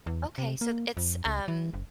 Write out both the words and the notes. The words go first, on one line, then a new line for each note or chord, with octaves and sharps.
Okay, so it's, um
E2
C3
A#3
F2
C#2
E3
F#1